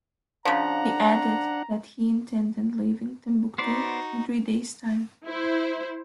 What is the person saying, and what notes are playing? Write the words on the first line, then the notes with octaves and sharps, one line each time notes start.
He added that he intended leaving Timbuktu in three days time.
C#3 F3 D4 F#5 A#5
B3 D#4 F#4 C5 D5
E4 C5